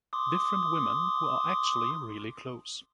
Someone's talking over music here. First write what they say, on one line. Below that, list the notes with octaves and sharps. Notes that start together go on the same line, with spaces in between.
Different women who are actually really close...
C6 D6 D#6